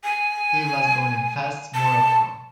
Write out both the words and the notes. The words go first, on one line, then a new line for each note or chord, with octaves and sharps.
He was born in Fes, Morocco.
G#5
A5